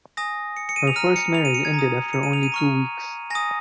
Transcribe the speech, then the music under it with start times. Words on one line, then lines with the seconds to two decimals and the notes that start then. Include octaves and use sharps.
Her first marriage ended after only two weeks.
0.17 G#5 D#6 A#6
0.57 C#7
0.69 C#7
0.76 D#7
0.87 F7
0.96 A#5 F6 D#7
1.16 C#7
1.35 F7
1.45 D#7
1.54 C#7
1.65 G#6
1.74 A#5
1.79 D#6
2.13 C#7
2.23 D#7
2.33 F7
2.43 D#7
2.52 A#5 C#6 F6
3.30 G#5 A#6
3.35 D#6